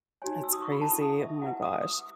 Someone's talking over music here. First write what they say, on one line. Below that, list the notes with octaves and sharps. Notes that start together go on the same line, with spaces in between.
It's crazy. Oh my gosh.
D#4 F#4 C#5 G#5
E6
D#6
C#6
B5
C#4 E4 A4 A5
D#6
E5
E4 B4 F#5
D#6
D#6